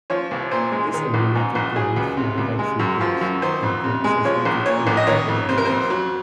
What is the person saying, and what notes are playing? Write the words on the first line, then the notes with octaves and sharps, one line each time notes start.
This eliminated the need for reduction gears and their associated underwater noise.
F3 C#5
C2
A#2 C5
G#3
D#3
A#1
G#2
A#1
F#3 G#4
C#2
C3
C#2
G#3
F#2
F3
F#2
D#3 C5
F2
C3
G#3
F3 C#5
A#1
A#2 C#5
A#1
D#5
D#3 C#5
F2
C3 C5
A#4
F2 C5
F#3